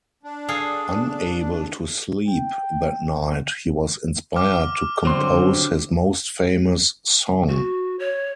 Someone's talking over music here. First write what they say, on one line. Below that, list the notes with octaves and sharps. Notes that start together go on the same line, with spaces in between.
Unable to sleep that night, he was inspired to compose his most famous song.
D4
G#4 A4 F5
G5
D6 F6
G2 D3 F#3 C4 C6
F#4
C#5